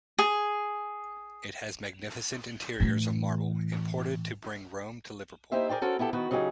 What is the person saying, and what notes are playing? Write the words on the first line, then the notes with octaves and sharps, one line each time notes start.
It has magnificent interiors of marble, imported to bring Rome to Liverpool.
G#4
A2 E3
A#3 D#4 E4 G4 C5 E5
G#4 A#4 C5 D5 G5
C#4 F#4 A4 A#4 C5
B3 E4 G4 A4
D#3 B3 F#4 B4
C#3 F#3 D#4 G4 G#4